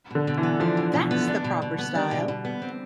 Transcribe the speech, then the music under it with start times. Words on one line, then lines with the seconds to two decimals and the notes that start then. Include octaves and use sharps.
That’s the proper style.
0.11 B2 D3
0.27 B2
0.38 E3
0.43 B3
0.60 F3 D4
0.77 B2
0.93 B2
1.11 B3
1.27 D4
1.44 B2
1.62 B2
1.78 B3
1.95 G3 D4
2.11 B2
2.28 B2
2.45 B3
2.62 C4